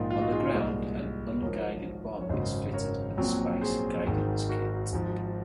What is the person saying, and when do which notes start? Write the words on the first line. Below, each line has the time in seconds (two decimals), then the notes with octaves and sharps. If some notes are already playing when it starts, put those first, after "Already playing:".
On the ground, an unguided bomb is fitted with a "Spice" guidance kit.
Already playing: A#1 G#2 D#3 A#3 D#4 F4
0.10 F4
0.21 D#4 F#4
0.32 F4 G#4
0.44 G#4 C5
0.54 C2 A#2 G#3
1.42 G#1 G#2 F3 A#4 C#5
2.21 C#5
2.29 G#1 F#2 C#3 C5 D#5
2.74 A#4 C#5
3.17 A#1 A#2 F#3 C4
3.61 G#4 C5
4.06 G#1 G#2 D#3
4.49 F#4 A#4
4.93 G#1 G#2 F3